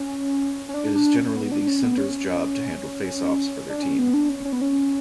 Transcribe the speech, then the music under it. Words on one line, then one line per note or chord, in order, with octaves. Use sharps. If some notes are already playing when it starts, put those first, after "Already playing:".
It is generally the centre's job to handle faceoffs for their team.
Already playing: C#4
C#4
D4
D4
C#4
B3
D4
C#4
B3
C#4
D4
C#4
B3
D4
C#4
C#4
B3
C#4